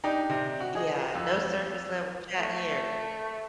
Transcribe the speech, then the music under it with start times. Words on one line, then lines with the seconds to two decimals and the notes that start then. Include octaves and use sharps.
Yeah, no surface level chat here.
0.04 D4 D#4 G4
0.30 C3
0.60 F#4
0.75 G#4 D#5
1.15 F2
2.38 A3